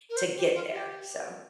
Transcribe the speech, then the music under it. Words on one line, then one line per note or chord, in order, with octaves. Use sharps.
to get there, so
A#4
C5
G4
F4
G4